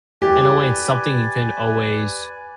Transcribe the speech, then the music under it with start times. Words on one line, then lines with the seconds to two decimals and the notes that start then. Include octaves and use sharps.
in a way, it's something you can always
0.22 G4 B4 D5 G#5